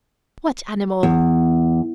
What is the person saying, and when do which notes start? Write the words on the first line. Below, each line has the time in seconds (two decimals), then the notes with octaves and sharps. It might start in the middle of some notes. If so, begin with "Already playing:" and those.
"What animal?"
1.03 E2